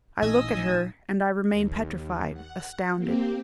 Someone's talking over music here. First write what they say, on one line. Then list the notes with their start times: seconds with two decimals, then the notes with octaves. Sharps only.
I look at her, and I remain petrified, astounded.
0.22 A1 A#2 D#4 D#5 G#5 D#6 E6
1.50 D#2
2.33 F#5
2.97 A#3 C4 G4